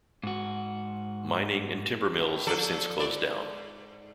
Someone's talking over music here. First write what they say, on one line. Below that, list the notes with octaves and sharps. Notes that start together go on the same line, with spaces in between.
Mining and timber mills have since closed down.
G#2 F#4
A2
F3 A4 D5
G#2 D5